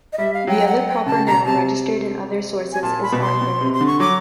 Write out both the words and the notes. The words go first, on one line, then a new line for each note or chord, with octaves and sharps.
The other proper noun registered in other sources is Arthur.
D#5
G3 E5
F5
F#3 G5
F#5
G5
C#3 A5
B2 A#5
C3 A5
G#5
A#2 A5
B5
B2
C6
B2
C3
C6
D3
C#6
F#3 D6